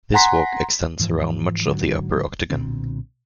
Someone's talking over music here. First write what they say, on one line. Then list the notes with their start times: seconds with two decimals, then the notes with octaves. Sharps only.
This walk extends around much of the upper Octagon.
0.14 F#5 G#5 A#5 C6 B6
1.00 G#2 E3 F3
1.67 G#2 D3 F#3
2.50 B1 A#2 D3 C4